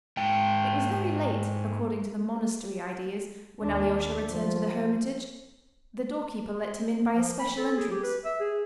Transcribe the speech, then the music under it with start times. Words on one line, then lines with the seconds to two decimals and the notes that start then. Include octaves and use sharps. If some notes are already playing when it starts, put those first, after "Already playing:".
It was very late, according to the monastery ideas, when Alyosha returned to the hermitage; the door-keeper let him in by a special entrance.
0.17 G#2 G5
3.62 D#2 D4
4.29 F3
7.15 F3
7.39 B5
7.57 A4
7.77 G#4
7.91 G4
8.03 B4
8.25 E5
8.40 G#4